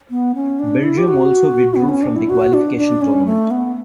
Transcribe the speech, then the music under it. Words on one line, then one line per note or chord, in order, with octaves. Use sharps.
Belgium also withdrew from the qualification tournament.
B3
C#4
D4
E4
G4
F#4
B3
C#4
D4
E4
F#4
D4
D4
C#4
A3
B3